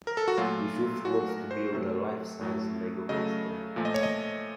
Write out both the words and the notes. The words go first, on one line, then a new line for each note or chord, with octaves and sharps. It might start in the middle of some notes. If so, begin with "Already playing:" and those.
Yusuf wants to build a life-size Lego castle.
A#4
A4
F#4
A#2 F#3 A3 F4
A#2 F#3 A3 F#4
A#4
C5
C3 F#3 A3
A2 F#3 A3
C#3 F#3 A3 D#5
A#2 F3 A3
D#5
C#5
D#5